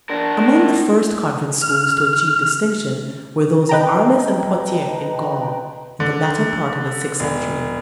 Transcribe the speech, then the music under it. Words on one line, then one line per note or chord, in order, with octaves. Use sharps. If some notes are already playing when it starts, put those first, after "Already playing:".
Among the first convent schools to achieve distinction were those of Arles and Poitiers in Gaul, in the latter part of the sixth century.
D4 A#4
F6
B4 D#5 G5 A5 A#5
D3
E1